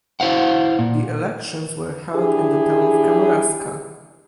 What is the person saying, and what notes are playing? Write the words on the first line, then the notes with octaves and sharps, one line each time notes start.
The elections were held in the town of Kamouraska.
E4 C5 F5 F#5
A#2
D4 E4 G4 G#4